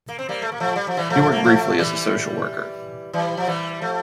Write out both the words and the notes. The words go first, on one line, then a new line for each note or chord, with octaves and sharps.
He worked briefly as a social worker.
A#3
C4
G3 A#3
A3
A#3
F3 A3
G3
F3
E3 G3
F3 A3
A#3
F3 A3
E3 G3
E3 G3
F3
E3 G3
F3 A3